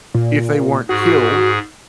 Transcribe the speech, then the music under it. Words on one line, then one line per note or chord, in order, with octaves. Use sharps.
if they weren't killed,
A#2
G#2 F#4 G#4